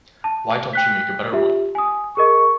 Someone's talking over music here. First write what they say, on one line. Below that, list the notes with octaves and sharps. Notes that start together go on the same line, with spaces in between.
Why don't you make a better one?
A5
G5 F#6 B6
F4 G4 E5
G#5 D#6
G#4 A#4 D#5 C#6